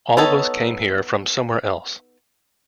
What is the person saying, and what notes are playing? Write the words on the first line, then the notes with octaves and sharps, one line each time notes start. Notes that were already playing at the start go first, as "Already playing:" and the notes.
All of us came here from somewhere else.
B3 D#4 A4 C#5